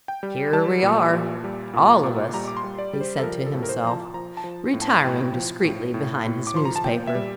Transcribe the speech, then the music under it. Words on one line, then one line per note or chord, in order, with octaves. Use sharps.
"Here we are, all of us," he said to himself, retiring discreetly behind his newspaper.
G5
G3
G3 A5
A#2
A#2
G3
A#2
A#2
G3 A#5
D6
C6
G3
D5
G3
C5
A4
F3 A#4
A4
A2
A#4
C5
F3 A#5
A5
F3 A#5
A5
F3
A2
A5
A2 G5
F3
A2
A2
A2
D6
F3 C6
A#5
A5
A#2 G5
E5
G3